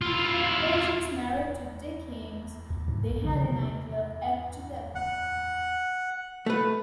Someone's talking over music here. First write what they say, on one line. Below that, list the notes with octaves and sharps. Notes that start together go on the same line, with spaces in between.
While she was married to Dick Haymes, they had a nightclub act together.
E4 F4
D2
G#2
A#1
C#3
C3
F#5
A3 B4